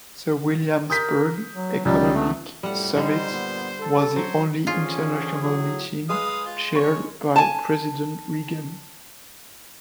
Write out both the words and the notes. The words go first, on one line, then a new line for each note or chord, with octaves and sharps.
The Williamsburg Economic Summit was the only international meeting chaired by President Reagan.
A#4 D#6 G6 B6
F#3
C#2 F#3 G3
A3 B3
A#1 F2 A2 G3 F#5
D3 G3 D#4 C5
A#2 B3
A4
F#3 C5
D3 E3 F3 C#4 F4 G#4
A2 F#3 G#4
G#3 B4 F5 D#6
F4
C#5 C#6
G#5 A5